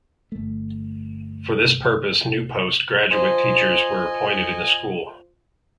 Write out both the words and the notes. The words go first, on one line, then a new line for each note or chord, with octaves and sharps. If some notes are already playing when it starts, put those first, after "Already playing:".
For this purpose New Post Graduate teachers were appointed in the school.
G1 A3
F4 C5 D#5 G#5